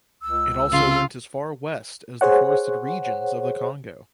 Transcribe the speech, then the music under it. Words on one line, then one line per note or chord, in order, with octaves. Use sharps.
It also went as far west as the forested regions of the Congo.
C#2 E6
C#3 F4
G#4 C5 C#5 F#5